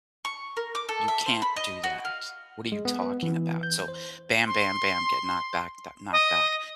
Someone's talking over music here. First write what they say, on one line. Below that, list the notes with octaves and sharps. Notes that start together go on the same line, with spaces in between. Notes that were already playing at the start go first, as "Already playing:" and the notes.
you can't do that. What are you talking about? So bam, bam, bam, get knocked back, d knocked back,
C#6
A#4
D6
A4
E5
C5
B5
D#5
F#4
F5
G#3
B3
E3
G6
C5
C6
D#5